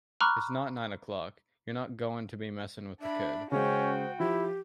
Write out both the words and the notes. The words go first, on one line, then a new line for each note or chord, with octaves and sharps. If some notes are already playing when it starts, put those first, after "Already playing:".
It's not nine o'clock... You're not goin' to be messin' with the kid'.
A#5 B5 C#6 D6 F6 F#6
D4 E5 B5
C#3 G#3 C#4 F#4 C5 G5
F3 E4 G4